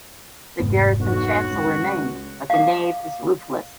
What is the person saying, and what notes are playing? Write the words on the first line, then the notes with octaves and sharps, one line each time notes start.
The Garrison Chancel remains, but the Nave is roofless.
F1 G#2 B3
B1 D3 F#4
C#2
F5 D6